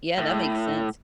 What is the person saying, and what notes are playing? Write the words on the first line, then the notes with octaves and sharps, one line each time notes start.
Yeah, that makes sense.
A2